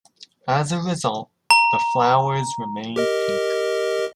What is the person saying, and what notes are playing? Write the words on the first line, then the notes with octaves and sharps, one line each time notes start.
As a result, the flowers remain pink.
A#5
G4 A#4 D#5